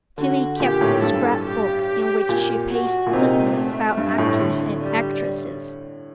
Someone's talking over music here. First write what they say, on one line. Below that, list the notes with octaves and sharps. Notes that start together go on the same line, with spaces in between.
Tillie kept a scrapbook in which she pasted clippings about actors and actresses.
D3 F#4
A#2 G4
A2
G2 A4
G4
A#2
F#4
A#2
C3 D#4
A3
G2
A2
D3
G3